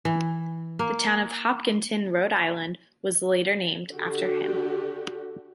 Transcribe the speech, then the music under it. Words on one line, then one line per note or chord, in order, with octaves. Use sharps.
The town of Hopkinton, Rhode Island, was later named after him.
E3
A#3
D3 F#4 G4